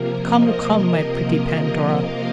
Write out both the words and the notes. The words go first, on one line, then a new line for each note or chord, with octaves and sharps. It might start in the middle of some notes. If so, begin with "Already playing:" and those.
Come, come, my pretty Pandora!
Already playing: C3 F3 A#3 A#4
D#5
D#5
F5